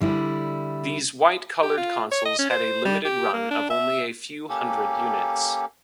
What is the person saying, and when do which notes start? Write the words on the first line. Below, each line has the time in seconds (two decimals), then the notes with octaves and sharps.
These white colored consoles had a limited run of only a few hundred units.
0.01 D3 G3 E4
1.63 G4
1.77 F4
2.12 C#5
2.26 D#5
2.39 C#4
2.50 C5
2.85 G3
3.05 G4
3.33 A#3
3.51 D4
3.70 E5
4.49 A#3 C#4 G4 A4